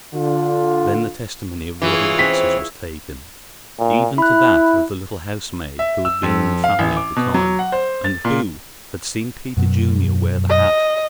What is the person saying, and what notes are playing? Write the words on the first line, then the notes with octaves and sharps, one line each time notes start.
Then the testimony of the other witnesses was taken, even to that of the little housemaid who had been in the family at the time, and who had seen Peter Junior wear the hat.
D3 F4
E3 F4 G#4 C#5
C4 C#4 B6
A#2
E4 B5 F#6
E5
E6
F2
F5
A1
D6
B2
F#3
F#5
C5
A6
A#2
F#2 B2 F#3
D#5